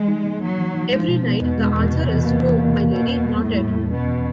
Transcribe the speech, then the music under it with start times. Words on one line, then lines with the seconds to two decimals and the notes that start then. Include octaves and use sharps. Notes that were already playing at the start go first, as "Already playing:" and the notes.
Every night the answer is, "No, my Lady, not yet."
Already playing: E3 G#3
0.08 D#4
0.25 A#3
0.41 F#3 A#3
0.58 E3
0.74 D#4
0.91 F3 G#3
1.08 B2
1.25 B3
1.41 E2 B2
1.58 G#3
1.75 E2
1.91 C3
2.08 E3
2.24 A#3
2.41 E3
2.58 A#3
2.74 A#3
2.91 B2 A#3
3.08 E2
3.24 G3
3.41 A2 A#3
3.58 G3
3.75 E2
3.91 B2 C#4
4.07 E3